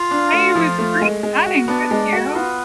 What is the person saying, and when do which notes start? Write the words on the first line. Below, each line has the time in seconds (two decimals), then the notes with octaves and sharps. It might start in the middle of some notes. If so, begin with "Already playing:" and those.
Hey, it was great chatting with you.
Already playing: F4 F5
0.11 D4
0.33 A3
0.55 F3
0.78 A3
1.01 G#3
1.23 G#3
1.46 F#4
1.68 B3 D4 D5
1.91 G#3
2.13 F#4
2.28 A4
2.35 B3 F4 B4